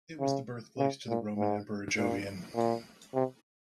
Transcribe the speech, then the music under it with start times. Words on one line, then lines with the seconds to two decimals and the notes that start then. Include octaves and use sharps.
It was the birthplace to the Roman Emperor Jovian.
0.20 C#3
0.78 C#3
1.09 A#2
1.38 G#2
1.97 A#2
2.56 A#2
3.14 C3